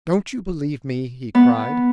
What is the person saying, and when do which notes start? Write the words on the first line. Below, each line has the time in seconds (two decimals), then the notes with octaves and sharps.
"Don't you believe me?" he cried.
1.35 B3